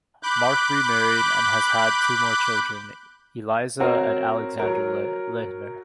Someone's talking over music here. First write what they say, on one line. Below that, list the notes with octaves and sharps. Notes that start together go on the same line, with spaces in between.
Mark remarried and has had two more children, Eliza and Alexander Lehner.
B5 D6 F#6 G6
C4 F#4 A#4 C#5
F#3 A#4